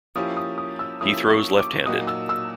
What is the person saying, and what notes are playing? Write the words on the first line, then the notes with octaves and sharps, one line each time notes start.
He throws left-handed.
F3 A#3 C#4 E4 G4 D#6
D#6
D#6
E6
F3 A#3 C#4 E4 G4 D#6
C#6
D6
A#2 F#3 A#3 D#4 F#4 D#6
E6
E6